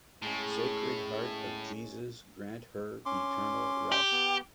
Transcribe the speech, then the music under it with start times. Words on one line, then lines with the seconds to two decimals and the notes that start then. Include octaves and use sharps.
Sacred Heart of Jesus grant her eternal rest.
0.22 A2 G#3 C#4
3.06 C#4 C6 D6
3.92 G4
4.12 B3